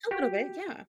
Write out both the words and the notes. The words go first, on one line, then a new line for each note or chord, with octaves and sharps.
A little bit, yeah.
F#4 G4